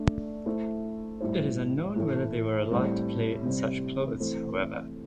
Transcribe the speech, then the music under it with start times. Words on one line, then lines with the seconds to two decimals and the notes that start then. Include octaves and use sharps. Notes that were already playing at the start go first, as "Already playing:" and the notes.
It is unknown whether they were allowed to play in such clothes however.
Already playing: A3 D4
0.46 A3 E4 C5
1.21 A2 G3 E4 C5
1.96 A2 E3 A3
2.70 A2 G3 C4
3.46 C3 G3 C4
4.20 E3 A3 C4 A4